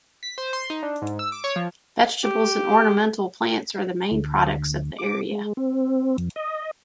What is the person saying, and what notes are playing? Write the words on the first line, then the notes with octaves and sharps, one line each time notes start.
Vegetables and ornamental plants are the main products of the area.
B6
C5
C6
D#4
D4
G#2
E6
D6
C#5
F3
G4
D2
D6
G#3
C4
F2
D#5